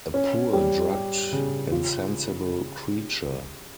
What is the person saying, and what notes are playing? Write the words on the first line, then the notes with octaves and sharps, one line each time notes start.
A poor, drugged insensible creature.
C#4
G3
G4
C#3
F4